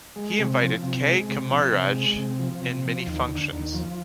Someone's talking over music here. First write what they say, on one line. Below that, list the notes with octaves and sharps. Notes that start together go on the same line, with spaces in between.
He invited K. Kamaraj in many functions.
G#3
C3
F3
C3
G#3
C3
F3
C3
G#3
C3
F3
C3
F3
D#2
D3
D#2
F3